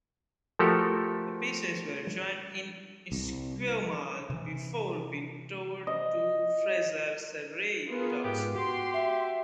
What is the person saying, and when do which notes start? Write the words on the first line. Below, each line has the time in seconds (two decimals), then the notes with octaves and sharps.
The pieces were joined in Esquimalt before being towed to Fraser Surrey Docks.
0.59 F3 A3 F#4 G4 A4 A#4
3.12 C2
4.30 C3 E3
5.87 D#5
7.89 B3 F4 G#4 A#4
8.24 G#2 G4
8.56 F#4 G4 C6
8.94 E5